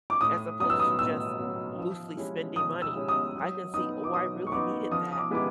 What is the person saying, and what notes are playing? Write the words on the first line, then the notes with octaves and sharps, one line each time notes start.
as opposed to just loosely spending money. I can see, "Oh, I really needed that,"
D6
A2 D#6
F#3 B3 D#6
E6
D#6
A2 E6
F#3 B3
F3
G#3 C#4 E4 G4
F3 D#6
E6
G#3 C#4 E4 G4
D#6
F#3
B3 D#4 D#6
D6
F#3 D#6
C#6
B3 D#4 D6
F3 D#6
D#6
D6
G#3 B3 E4 G4 D6